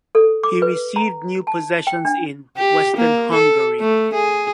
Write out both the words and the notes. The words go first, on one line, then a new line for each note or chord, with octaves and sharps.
He received new possessions in western Hungary.
A4
D6
B4
A#5
A5
G5
D4
G4
A#3
A4
A3
G#4